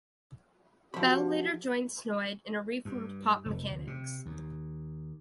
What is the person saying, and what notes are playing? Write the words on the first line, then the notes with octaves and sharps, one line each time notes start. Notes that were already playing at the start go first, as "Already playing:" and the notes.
Bell later joined Snoid in a reformed Pop Mechanix.
C3 F3 F#4 B5
G2
F1
D2
C3
D#2